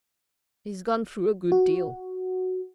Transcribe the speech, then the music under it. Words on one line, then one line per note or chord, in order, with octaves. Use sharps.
He's gone through a good deal.
F#4